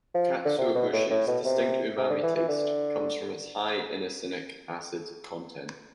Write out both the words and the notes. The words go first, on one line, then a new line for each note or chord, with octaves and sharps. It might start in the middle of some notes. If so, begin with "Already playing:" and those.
Katsuobushi's distinct umami taste comes from its high inosinic acid content.
F3
D3
C3
B2
A2
A2
B2
C3
C3
D3
E3
E3
D3